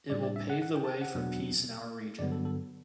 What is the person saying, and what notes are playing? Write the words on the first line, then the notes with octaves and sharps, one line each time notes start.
It will pave the way for peace in our region.
A2 G3 D4 D5
D5
E5
F#5
F#5
G5
A5
G5
F#5
E2 B2 F#3 B3 D4
G2 D3 F#3 B3 D5
A4
A4